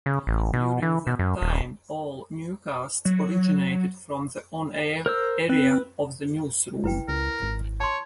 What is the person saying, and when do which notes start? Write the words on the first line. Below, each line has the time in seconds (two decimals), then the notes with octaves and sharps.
During that time, all newscasts originated from the on-air area of the newsroom.
0.06 C#3
0.27 A1
0.53 B2
0.82 E3
1.07 B2
1.19 F#2
1.42 D#1
3.05 F#3
5.06 A#4 C5 E6
5.50 C4 B4
6.84 F#1 E4 B4 G5
7.08 C#2 A#4
7.42 G#1
7.80 C#5 A5 C6